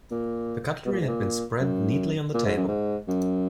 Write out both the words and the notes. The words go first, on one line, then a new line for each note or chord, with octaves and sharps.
The cutlery had been spread neatly on the table.
A#2
B2
A#2
G#2
A#2
F#2
A#2
G#2
F#2
G#2
F#2